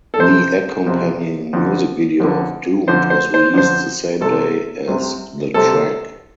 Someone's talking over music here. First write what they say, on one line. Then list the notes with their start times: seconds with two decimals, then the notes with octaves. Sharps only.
The accompanying music video of "Doomed" was released the same day as the track.
0.14 A4
0.20 F2 C3 C5
0.86 F2 C3
1.53 F2 D3
2.20 F2 D3
2.88 F2 D3 C5
3.10 C5
3.34 C5
3.54 F2 D3 C5
4.21 C2 C3 A4
4.88 C2 C3
5.54 C2 C3 A4